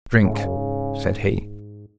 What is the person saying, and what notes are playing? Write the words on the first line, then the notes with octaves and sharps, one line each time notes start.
"Drink!" said he.
A2 C#3
G#2
F#2
G#2